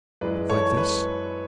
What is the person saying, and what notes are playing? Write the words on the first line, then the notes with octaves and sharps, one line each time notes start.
"Like this?"
F#2 E3 G#3 B4 D5
A4 C#5
B4